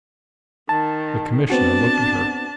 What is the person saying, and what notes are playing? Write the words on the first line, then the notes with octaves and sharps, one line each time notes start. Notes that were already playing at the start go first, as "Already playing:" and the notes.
The Commissioner looked at her.
D#3 A5
B3 C4 D4 F#4 A5